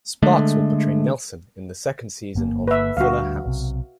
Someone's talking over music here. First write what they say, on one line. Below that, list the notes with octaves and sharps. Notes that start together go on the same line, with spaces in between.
Sparks will portray Nelson in the second season of "Fuller House".
D3 G#3 A3
G1 A#3
B4 E5
D2 G3 D4 F#4 F5
B1 C3